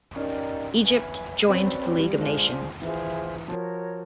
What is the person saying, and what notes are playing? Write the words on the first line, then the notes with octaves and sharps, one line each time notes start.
Egypt joined the League of Nations.
C#4 D#4 G4 A#4 D5
B4 E5 G#5
C4 C#4 F#4 B4 D5
C4
C4
G3
G#3 D4 F4 G#4 C5
E3 F4 G#4 C5 E5
F3 F#4 A#4 C#5